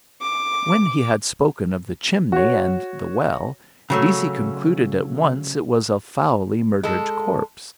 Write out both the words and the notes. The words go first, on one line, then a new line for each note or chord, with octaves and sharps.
When he had spoken of the chimney and the well Deasey concluded at once it was a foully murdered corpse.
D6
F#4 C#5
C#3 F#3 A3
G#3 A4